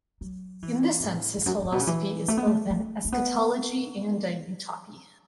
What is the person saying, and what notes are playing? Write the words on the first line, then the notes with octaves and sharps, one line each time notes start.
In this sense his philosophy is both an eschatology and an utopy.
F#3
E3
B2
A2
E2
F#2
F#2
A2
B2
C#3
E3
A3
B3
A3
A3
A3
B3